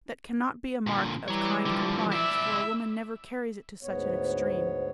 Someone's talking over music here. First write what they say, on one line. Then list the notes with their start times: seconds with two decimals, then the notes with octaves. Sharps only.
That cannot be a mark of kind compliance, for a woman never carries it to such an extreme.
0.87 A#2 D3
1.28 E3 G3 C#5 A#5
1.66 D3 F3
2.12 E4 D5 E5
3.83 D2 G#2 B3 C#5